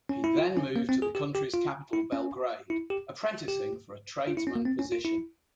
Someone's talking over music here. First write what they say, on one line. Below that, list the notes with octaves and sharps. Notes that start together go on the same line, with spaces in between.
He then moved to the country's capital Belgrade, apprenticing for a tradesman position.
C#4
E4
F4
C#4
A#3
C4
G#4
G4
G4
F4
E4
C#4
E4
G4
G4
F4
E4
C#4
A#3
C4
C#4
F4
E4